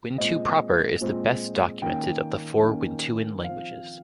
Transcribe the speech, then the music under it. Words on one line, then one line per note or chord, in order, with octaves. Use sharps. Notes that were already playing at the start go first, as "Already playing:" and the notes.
Wintu proper is the best documented of the four Wintuan languages.
A#2 G#3 C4 D#5
A#2 G#3 C4
D#3 A#3 C#4 G5
D#3 A#3 C#4
F3 C4 F5